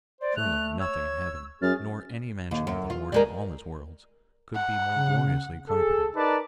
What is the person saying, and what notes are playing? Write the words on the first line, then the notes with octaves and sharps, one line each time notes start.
Surely nothing in heaven, nor any mansion of the Lord in all his worlds, could be more gloriously carpeted.
C5 D5
A3 F#6 F7
C#5 E6 G#6
F#2 G#4 F6 A6
D#2
F#2
F4
G3 G#3 A#4
F#5
C#3
G#4 A4
D#4 A#4 B4 D5 A5